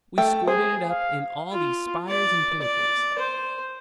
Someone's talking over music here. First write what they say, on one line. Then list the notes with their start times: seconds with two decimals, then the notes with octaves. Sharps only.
We squirted it up in all these spires and pinnacles.
0.18 A3 G5
0.47 G#4 C5
0.89 F5
1.51 F4
2.08 D5
2.61 D5
3.18 C5